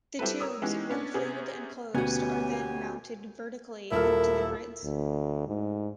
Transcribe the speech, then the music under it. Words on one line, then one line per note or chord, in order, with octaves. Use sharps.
The tubes, when filled and closed, are then mounted vertically into the grids.
G3 C4 E4 A4 B4
A#4 C#5 D#6 E6
E3 G#3 B3 C#4 D#4 G4
B3 C#4 D4
C3 B3 C#4 G#4
D2 B2 B3 C#4 F#4 G4 G#5
D#1 E4 A4 A#4 F6
D2
G#2